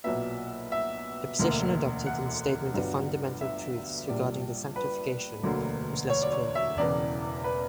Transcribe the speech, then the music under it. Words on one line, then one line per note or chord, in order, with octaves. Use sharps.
The position adopted in the Statement of Fundamental Truths regarding sanctification was less clear.
B1 A#2 F#3 B3 E5
E5
E1 D2 D3 A#3
F#5
G1 G2 F#3 B3
E5
A#1 A#2 G3 A#3 D5
B4
E1 D2 D3 F#3 A#3
C#5
D5
C#5
E5
E1 E2 C#3 E3 B3 D5
B4